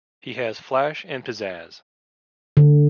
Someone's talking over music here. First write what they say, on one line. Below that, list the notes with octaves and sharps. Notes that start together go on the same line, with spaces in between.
He has flash and pizazz.
D3